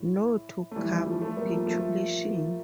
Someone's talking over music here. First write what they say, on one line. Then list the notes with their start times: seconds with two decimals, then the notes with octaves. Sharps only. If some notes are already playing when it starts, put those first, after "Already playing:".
No to capitulation!
Already playing: A2
0.71 A3
0.76 E3 G3
0.91 E3 G3
1.06 F3 A3
1.21 F3 A3
1.37 G3 A#3
1.52 F3 A3
1.66 F3 A3